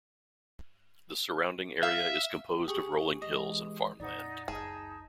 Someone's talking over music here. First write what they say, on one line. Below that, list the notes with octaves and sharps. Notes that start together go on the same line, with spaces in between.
The surrounding area is composed of rolling hills and farmland.
E5 F5
G4 G#4 C#6
E3 G#3 D#5
F2 A#2 D#4 D5 F#5
F#1 C#2 D#4 G#4 A5